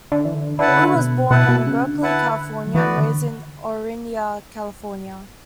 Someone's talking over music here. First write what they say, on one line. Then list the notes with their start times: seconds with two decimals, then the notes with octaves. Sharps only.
Wu was born in Berkeley, California, and raised in Orinda, California.
0.12 D3
0.25 E3
0.34 D3
0.59 D3 E4 B4 F#5 A5
0.68 C#3
0.77 D3
0.95 B2
1.31 B2 E4 B4 F#5 A5
1.48 B2
1.67 C#3
1.84 D3
2.02 E4 B4 F#5 A5
2.67 F#3
2.74 E3 B3 F#4 B4 D5
2.98 D3